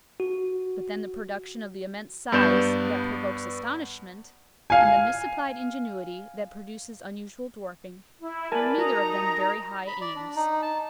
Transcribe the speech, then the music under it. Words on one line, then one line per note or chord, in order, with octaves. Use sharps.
But then the production of the immense size that provokes astonishment, and the misapplied ingenuity that produces unusual dwarfing, are neither of them very high aims.
F#4
G2 B3 D5 G6 E7
F5 G#5
E4
A#4 B4 D5 G#5 A5
D#4 F#4 A#5
B5
D5
D4
D#4
A5